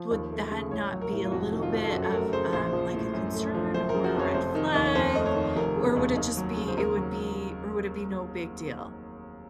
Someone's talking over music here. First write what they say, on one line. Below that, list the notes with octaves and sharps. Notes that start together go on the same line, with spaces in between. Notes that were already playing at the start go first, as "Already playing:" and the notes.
would that not be a little bit of, um, like, a concern or a red flag? Or would it just be it would be or would it be no big deal?
Already playing: F3
D#2
A3
C#3
A1 C#5
F#3
A#4
A2
F4
F1 F#4
D#3
F4
F2
A4
F#2 F#4
A4
A3 A#4
C#3 C5
A#1 C5
F3
A2
F#2
A3
F3
F#1 C5
A#4
C#3
F#4
F2 C#5
F1 C5
D#3
D#2 D#5
C#5
F2 C5
A3 D#5
C#5
D#3
F1 A#4
C#3
D#2
D#2
F#3
C#3
C5
D#2 A#4
F#3